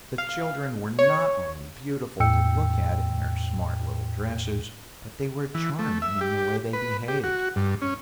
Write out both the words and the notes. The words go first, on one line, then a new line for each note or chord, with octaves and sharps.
The children were not only beautiful to look at in their smart little dresses, but they were charming in the way they behaved.
F5
C#5
E2 A2 G5 E6 C#7
E3
A3
E5
G4
B4
G4
F#4
G2
C#4